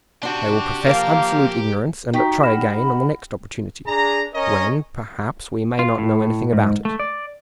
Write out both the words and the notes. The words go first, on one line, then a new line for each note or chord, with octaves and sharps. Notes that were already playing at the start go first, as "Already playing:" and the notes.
They will profess absolute ignorance, and try again on the next opportunity, when, perhaps, we may not know anything about it.
D4 F#4 G4 C6
F3 A#3 A#4 F5 A5
D#4 F#4 G4 A#5 C#6 B6
F#5 B5 F6 A#6 E7
D4 G#4 A#5
C#4 A#4 C#5 D#5
F4
A2
G#2
A3
D5